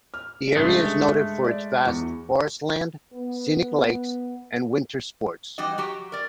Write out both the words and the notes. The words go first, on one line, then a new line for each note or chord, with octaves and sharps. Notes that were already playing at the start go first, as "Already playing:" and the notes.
The area is noted for its vast forest land, scenic lakes, and winter sports.
F6
G2 C#3 G#3 A3
D5
E2 E4 C#6
B3
E3 G3 D#4 F#4 D#5
F#3 F#4 G4
A#4 D5